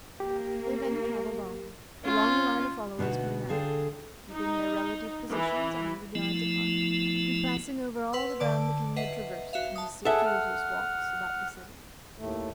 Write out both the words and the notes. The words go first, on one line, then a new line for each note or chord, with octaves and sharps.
They then travelled on, the long line of followers coming after, keeping their relative positions a hundred yards apart, and passing over all the ground the King had traversed in his circuitous walks about the city.
A#3 G4
C#4 F4
D2 B2 B3 D#4 F#4
D3 G#4 A4 F5 G5
D#4
E3
F3 A3 B3 E4
B4 F#5 C6 E6
D3 D5 A5 D6 D7
B4 D#5 E5 F#5 C7
F#4 E5 F5
A5 D#6
G#4 A4 E5 F#5
F#5 F6
D#2 A2 A3